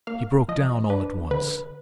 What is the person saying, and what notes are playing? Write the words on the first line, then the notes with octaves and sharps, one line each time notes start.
He broke down all at once.
A#3 F5
F3 D#5
D4 B4
D3 B4